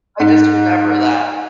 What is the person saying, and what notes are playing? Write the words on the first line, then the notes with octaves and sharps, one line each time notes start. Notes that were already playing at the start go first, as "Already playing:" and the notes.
I just remember that.
G#2